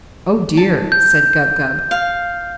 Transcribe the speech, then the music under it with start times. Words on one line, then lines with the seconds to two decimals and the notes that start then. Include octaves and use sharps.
"Oh, dear!" said Gub-Gub.
0.57 A5
0.92 G6
1.91 F5